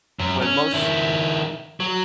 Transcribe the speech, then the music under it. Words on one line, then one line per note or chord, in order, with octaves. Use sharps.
when most
F#2
C#4
D#3 E4
F#3